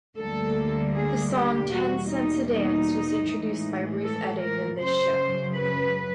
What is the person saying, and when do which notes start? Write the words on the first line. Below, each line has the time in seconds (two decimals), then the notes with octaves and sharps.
The song "Ten Cents a Dance" was introduced by Ruth Etting in this show.
0.18 D2 D3 G3 A#3 A4
0.95 G#4
1.33 G4
1.71 E2 B2 G3 A#3 F#4
2.10 D#4
2.49 D#4
3.26 A2 E3 G#3
4.03 A4
4.41 A#4
4.79 F#2 C#3 F#3 C5
5.55 B4